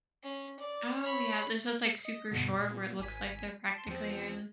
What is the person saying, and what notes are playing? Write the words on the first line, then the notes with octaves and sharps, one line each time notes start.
Oh, yeah, there’s those, like, super short where it looks like they're practically hairle
C#4
D5
C#5 B5
D#5
G2 B2 D3
A#2
G#1 G#5 B6
A5 C6
E2 F3 C4